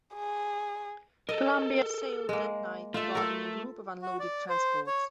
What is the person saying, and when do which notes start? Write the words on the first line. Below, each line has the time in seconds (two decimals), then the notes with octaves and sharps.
"Columbia" sailed that night, guarding a group of unloaded transports.
0.15 G#4
1.29 A4 A#4 D#5
2.29 G#3 A#3
2.94 A3 F4 E5
3.15 A4 A#4
4.02 F#4
4.20 D5
4.49 C5
4.87 C#5